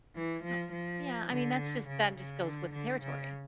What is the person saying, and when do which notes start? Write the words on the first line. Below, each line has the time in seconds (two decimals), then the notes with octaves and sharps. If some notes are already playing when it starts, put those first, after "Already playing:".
Oh. Yeah, I mean, that's just that just goes with the territory.
0.15 E3
0.44 F3
0.72 F3
1.30 D3
1.87 C#3
2.16 C#3
2.44 D3
2.73 D3
3.02 C#3